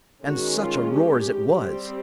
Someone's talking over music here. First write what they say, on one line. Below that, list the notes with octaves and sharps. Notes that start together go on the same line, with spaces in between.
And such a roar as it was!
D#3 G#3 C#4 F#4
F4
G4
G3 C4 G4